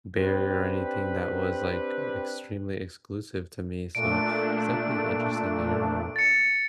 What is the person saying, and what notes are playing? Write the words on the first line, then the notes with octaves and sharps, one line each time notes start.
barrier or anything that was, like, extremely exclusive to me, so, it's definitely interesting to hear about.
C4 D4 G4 B4
A#2 A3 D4 D7
A6 C#7